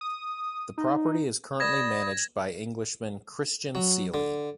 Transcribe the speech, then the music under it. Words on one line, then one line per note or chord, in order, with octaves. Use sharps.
The property is currently managed by Englishman Christian Seely.
D#6
D#4
D5 B5 D#6 G#6 A#6 E7
F#3
D3